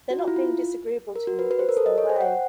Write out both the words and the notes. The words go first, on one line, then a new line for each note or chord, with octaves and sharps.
They’re not being disagreeable to you — it’s their way.
F#4
F4
E4
F4
A#4
F#4
B4
B4
C5
A#4
A4
D#5
C#5
C5
G5
F#5